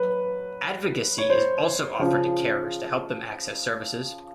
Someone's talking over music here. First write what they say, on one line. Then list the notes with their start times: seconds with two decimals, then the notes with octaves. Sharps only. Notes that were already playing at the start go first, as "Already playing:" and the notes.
Advocacy is also offered to carers to help them access services.
Already playing: F#3 B4
1.18 C#5
1.30 C5
1.99 C#3 F3